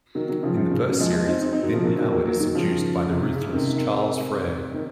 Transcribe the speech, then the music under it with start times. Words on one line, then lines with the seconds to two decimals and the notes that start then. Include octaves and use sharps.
In the first series, Lynne Howard is seduced by the ruthless Charles Frere.
0.15 D#3 F#3
0.28 D#3 F#3
0.43 C#3 F3
0.56 C#3 F3
0.71 C#3
0.85 D#3 F#3
1.00 F3 G#3
1.13 F3 G#3
1.27 C4 D#4
1.41 C4 D#4
1.52 C4 D#4
1.63 D#3 F#3
1.74 C#3 F3
1.84 D#3 F#3
1.98 D#3 F#3
2.12 F#3 A#3
2.27 F#3 A#3
2.40 D#3 F#3
2.55 C#3 F3
3.11 C3
3.33 C#3
3.53 C3 D#3
3.74 C3 D#3
4.74 D#3